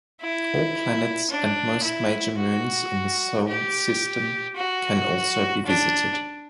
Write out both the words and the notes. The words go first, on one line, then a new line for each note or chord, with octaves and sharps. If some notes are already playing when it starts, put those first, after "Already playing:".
All planets and most major moons in the Sol system can also be visited.
E4
D4
E4
F#4
G4
F#4
D4